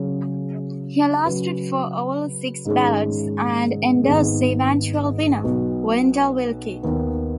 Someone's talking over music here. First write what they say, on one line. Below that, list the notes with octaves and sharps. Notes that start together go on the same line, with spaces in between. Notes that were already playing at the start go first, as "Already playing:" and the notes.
He lasted for all six ballots, and endorsed the eventual winner, Wendell Willkie.
Already playing: C#3 F#3 C#4 G#4
C#3 F#3 C#4 F#4 B4
G#2 D#3 G#3 C#4 G#4
G#1 G#2 D#3 B3 G#4
B1 B2 B3 F#4
D#2 D#3 B3